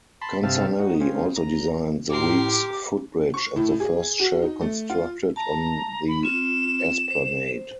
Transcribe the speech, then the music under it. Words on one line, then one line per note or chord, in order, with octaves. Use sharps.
Canzanelli also designed the Weeks footbridge and the first shell constructed on the Esplanade.
A5 B5 C6
G2 C3 C4 E5 F5 A5
D#4 F#4
G#3 C4 C#4 F4
A#5
A2 G4 A#4 C6 D6
C#6
A2
G#4
F#4
D#4
A3
F4
A5 A#5
B5
C4 F4 E7
C5